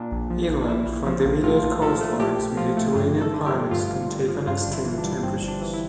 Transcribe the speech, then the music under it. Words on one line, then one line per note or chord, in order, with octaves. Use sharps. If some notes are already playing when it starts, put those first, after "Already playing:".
Inland from the immediate coastlines, Mediterranean climates can take on extreme temperatures.
Already playing: A#2 D4
A#1
F3
A#1
A#2 E4
A#1
F3
A#1
A2 F4
A#1
F3 A4
A3
A2 G4
A#1
F3 F4
A3
G2 G4
G1
A4
D3
G4
F3
G2 F4
G1
D3
F3
G2 F4
G1 D4
E4
E3
D4
G3
G2 C4
G1
D4
E3
E4